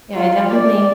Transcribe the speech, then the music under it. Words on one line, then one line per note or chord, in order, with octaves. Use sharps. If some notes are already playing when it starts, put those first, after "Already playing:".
Yeah, I definitely
F4
D5